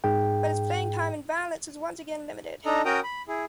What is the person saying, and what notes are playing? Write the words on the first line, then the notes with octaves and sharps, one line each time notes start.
But his playing time in Valence is once again limited.
G#2 G#4 G5
D4 D#4 A4 D#5 A#5
C#4 F#4 A#4 G5 A#5 D#6
B5
E4 G#4